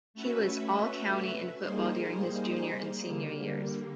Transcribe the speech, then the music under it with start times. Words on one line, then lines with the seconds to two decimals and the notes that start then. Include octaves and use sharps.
He was All-County in football during his junior and senior years.
0.14 A3 C#4 F#4 B4 E5
1.59 G3 A#3 D#4 G#4 C5
3.04 D3 G3 A#3